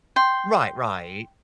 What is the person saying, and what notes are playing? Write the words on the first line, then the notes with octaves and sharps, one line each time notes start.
Right, right.
G5 C6